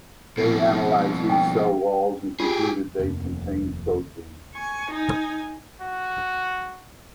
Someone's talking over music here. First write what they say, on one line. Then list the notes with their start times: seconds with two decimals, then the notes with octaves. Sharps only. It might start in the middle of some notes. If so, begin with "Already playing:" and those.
They analysed these cell walls and concluded that they contained protein.
0.37 F2 B2
1.30 G5
2.40 F4 G4 G#4
2.99 F1 D#2
4.54 G#5 C#6
4.91 D#4 G#5
5.81 F#4